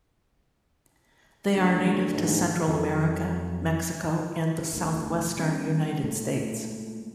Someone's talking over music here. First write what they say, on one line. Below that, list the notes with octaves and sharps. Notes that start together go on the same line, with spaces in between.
They are native to Central America, Mexico, and the southwestern United States.
D2
G#2
F2 F#3 C#4 A4
E1 D2
G3 B3 C#4
A#2 G#3 A3